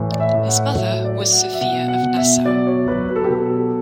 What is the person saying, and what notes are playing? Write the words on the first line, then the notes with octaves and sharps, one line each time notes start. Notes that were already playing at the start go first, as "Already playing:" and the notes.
His mother was Sophia of Nassau.
Already playing: A2 E3
D5
E5
A2
F#5
F#3 E5
D5
F#3
F#5
E5
B2 F#5
F#5
B2
E5
F#3 D5
C#5
F#3 B4
B4
A4
G4
B2 A4